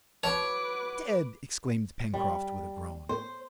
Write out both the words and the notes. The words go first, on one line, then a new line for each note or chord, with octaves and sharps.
"Dead!" exclaimed Pencroft, with a groan.
F#4 B4 C#5 A5 D6
G3
C5